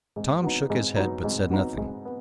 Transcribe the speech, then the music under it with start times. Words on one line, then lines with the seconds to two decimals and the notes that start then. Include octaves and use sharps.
Tom shook his head, but said nothing.
0.16 G#2
0.43 F#3 B3 D#4
0.70 G#2
0.96 F#3 B3 D#4
1.24 G#2
1.51 F#3 B3 D#4
1.77 G#2
2.05 B3